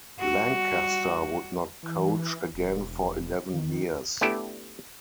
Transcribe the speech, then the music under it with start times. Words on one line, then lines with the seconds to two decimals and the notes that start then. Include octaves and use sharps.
Lancaster would not coach again for eleven years.
0.20 G3 F#4
1.83 E3
2.53 E1
3.53 D#3
4.21 A3 B3 D4 E4 G4 A4